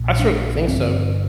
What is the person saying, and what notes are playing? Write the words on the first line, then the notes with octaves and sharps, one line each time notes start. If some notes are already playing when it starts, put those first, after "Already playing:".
I certainly think so.
Already playing: A#1 A#2
D4
G1 G2 D3 C4